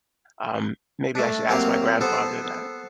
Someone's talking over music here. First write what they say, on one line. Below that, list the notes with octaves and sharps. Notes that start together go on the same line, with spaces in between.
Um, maybe I should ask my grandfather that.
A3 D4
F#3 A#3 C4 G4 F5
B3 A4 C5